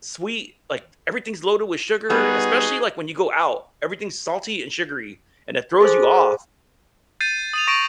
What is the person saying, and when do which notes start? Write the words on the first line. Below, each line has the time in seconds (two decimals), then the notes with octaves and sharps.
sweet, like, everything's loaded with sugar, especially, like, when you go out. Everything's salty and sugary, and it throws you off.
2.10 G3 B3 D#4 F#4 G#4
5.81 G#4 A4 C5
7.21 G6 A6 C7 D#7
7.53 D#6 D#7 F7
7.67 C#6 A#6 D7 D#7 F7